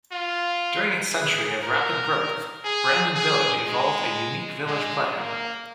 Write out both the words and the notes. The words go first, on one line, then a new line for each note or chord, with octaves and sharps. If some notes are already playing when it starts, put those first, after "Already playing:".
During its century of rapid growth, Brandon Village evolved a unique village plan.
F4
G#4
A#4
G#4
G#4
G#3
G#3
A#3